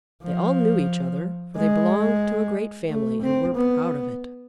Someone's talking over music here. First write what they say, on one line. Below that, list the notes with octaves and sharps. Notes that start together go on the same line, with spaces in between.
They all knew each other, for they belonged to a great family, and were proud of it.
F3
G#3
A3
C4
B3